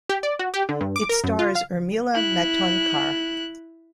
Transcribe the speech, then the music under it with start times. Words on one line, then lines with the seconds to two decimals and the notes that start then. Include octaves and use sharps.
It stars Urmila Matondkar.
0.09 G4
0.23 D5
0.39 F#4
0.54 G4
0.69 D3
0.81 G2
0.96 D6
1.09 A#4
1.24 F#2
1.39 F4
1.55 F5
2.13 E4 F#6